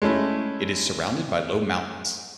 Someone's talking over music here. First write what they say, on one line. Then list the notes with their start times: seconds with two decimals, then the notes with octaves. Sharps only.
It is surrounded by low mountains.
0.02 G#3 A3 C#4 E4